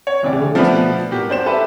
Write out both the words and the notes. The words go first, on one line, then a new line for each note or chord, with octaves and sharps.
No team fielded.
C#5
D1 E3 D5
F3 A3 B3 D4 B4
F#4 G4 A#4
D4 C5 E7
G4 A4 B4 E5